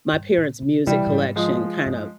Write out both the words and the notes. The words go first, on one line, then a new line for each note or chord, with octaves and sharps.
my parents' music collection kinda
G2
A#2
C3
C3 E3 G3
A#2
G#2
F3 G#3
G2